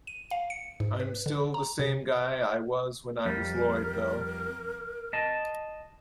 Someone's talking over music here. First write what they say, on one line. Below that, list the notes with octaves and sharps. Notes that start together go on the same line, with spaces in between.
I'm still the same guy I was when I was Lloyd, though.
D#7
F5
C#7
G#2
B4
D3
A#5
C3
F2 G3 A#4
D#5 A5